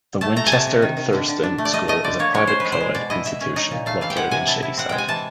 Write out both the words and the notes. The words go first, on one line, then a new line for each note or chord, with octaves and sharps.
The Winchester Thurston School is a private co-ed institution located in Shadyside.
A3 A5
A3 A#5
G#5
C3 A5
C3
D#3
D#3
D3
D3
D4
A3
D5
A3 D#5
A3 D#5
D3 D5
A#3 C#5
G#3 C#5
C#4 C5
G#3 B4
C5
G#3
B2 D5
E4 D#5
E4 E5
C#4
D#4
A#2
A3 F5
E3 F5
G5
G#3 F#5
C3 G#5
E4 A5
E4
C4 F#5
G#3 G5
G#5
E3 A5